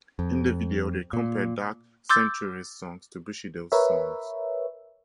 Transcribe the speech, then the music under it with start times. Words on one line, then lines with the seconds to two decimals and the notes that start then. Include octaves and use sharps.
In the video they compared Dark Sanctuary's songs to Bushido's songs.
0.19 F2
1.13 A#2
2.09 C6 D6 E6 G6 A6
3.72 A#4 B4 C#5 E5